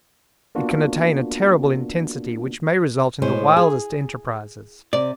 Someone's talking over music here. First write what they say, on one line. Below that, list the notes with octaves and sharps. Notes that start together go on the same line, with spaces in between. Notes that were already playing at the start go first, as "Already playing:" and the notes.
It can attain a terrible intensity which may result in the wildest enterprises.
A#3 B3 D4 F4 F#4
A2 G#3 C5
G#4
C3 D5